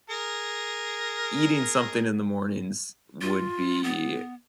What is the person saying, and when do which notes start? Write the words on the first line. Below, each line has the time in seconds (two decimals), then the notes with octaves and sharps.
Eating something in the mornings would be
0.10 G#4 A#4
3.21 F4
3.84 B3